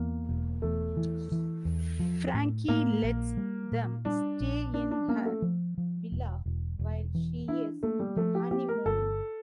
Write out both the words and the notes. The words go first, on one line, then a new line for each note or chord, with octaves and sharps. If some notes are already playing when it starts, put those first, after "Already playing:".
Frankie lets them stay in her villa while she is honeymooning.
Already playing: E2 A#3
E1
E2 A3
E3
E3
E2
F3
A2
A2 A#3
A#1
G3
A#2
G3 D4
A#1
C#4 D4
D4
A#3 C#4
A3
F3
F3
E1
E1
E1
E3
D4 E4
A3 A#3
G3
F3 A3
G4
A#3 G4
A#4
G1 A4